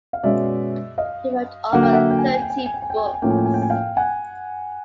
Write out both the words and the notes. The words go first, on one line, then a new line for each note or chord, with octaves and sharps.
He wrote over thirty books.
F5
B2 G#3 C#4 D5 E5
D#5 F5
D3 F#3 A#3 F#5
G5
E5 F#5
G5
G#5
G5
G#5
G5
G#5
G5
G#5
G5
G#5
G5
G#5
G5
G#5
A2 F3 A#3 C#4 G5
G#5
G5
G#5
G5
G#5
F5 G5
F#5 G#5